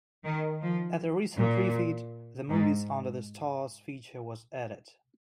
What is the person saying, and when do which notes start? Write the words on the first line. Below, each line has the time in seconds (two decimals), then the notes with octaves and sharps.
At a recent refit, the "Movies under the Stars" feature was added.
0.25 D#3
0.62 F3
1.37 A#2
2.49 G#2